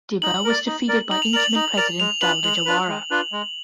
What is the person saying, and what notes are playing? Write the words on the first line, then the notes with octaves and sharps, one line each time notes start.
Dibba was defeated by incumbent President Dawda Jawara.
D#4 F#7
A#4 D5
D#4
A#4 D5
D#4 F#7
F7
A#4 D5 F#7
F#7
D#4 F#7
A#4 D5 F7
G#3 F7
D4 F4 B4 F#7
G#3 F#7
D4 F4 B4
G#3
D4 F4 B4
G#3